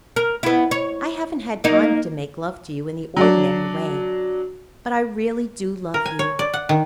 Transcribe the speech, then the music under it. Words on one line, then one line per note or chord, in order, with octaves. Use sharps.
I haven't had time to make love to you in the ordinary way, but I really do love you.
A#4
B3 E4
C#5
A#3 D#4
F#3 D4
A#4
G#5
C#5
D5
F#5
D#3